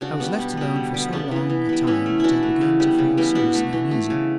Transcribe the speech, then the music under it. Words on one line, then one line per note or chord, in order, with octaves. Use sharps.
I was left alone for so long a time that I began to feel seriously uneasy.
C#3 D4 F#4
G3 B3
B2
G3 B3
D3
G3 B3
C#3 B3 D4
E3 B3
E3
G3 B3
E3 C#4 E4
A3
E3 D4 E4 F#4
A3
C#3
G3 B3
C#3
E3 G3 B3
B2 D4 F#4
A3
E3
A3
C#3